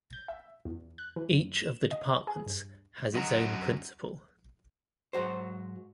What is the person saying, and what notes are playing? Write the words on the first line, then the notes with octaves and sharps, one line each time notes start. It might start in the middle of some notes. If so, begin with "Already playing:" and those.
Each of the departments has its own Principal.
G6
E5
E2
F#6
E3
F#2
E7
D#5
G#4
G2
F#2 D#5 F#5 A#5
G#2 F#3 F#4 C5